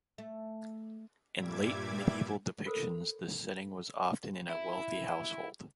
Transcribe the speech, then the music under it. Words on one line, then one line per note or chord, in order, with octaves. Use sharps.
In late medieval depictions the setting was often in a wealthy household.
A3
G2 A#2 G3 E5 D6 G#6
A4 A#4 C5 B5
E4 E5